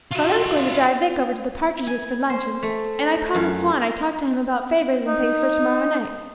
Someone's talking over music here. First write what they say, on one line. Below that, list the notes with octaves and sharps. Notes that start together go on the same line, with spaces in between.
"Fraulein's going to drive Vic over to the Partridges' for luncheon, and I promised Swann I'd talk to him about favors and things for tomorrow night."
F4 F#4 E5
G#5
C5
A3
F#2
D#4